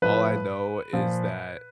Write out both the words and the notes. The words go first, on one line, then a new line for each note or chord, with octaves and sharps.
all I know is that
A2 F3 B4
A#2 F3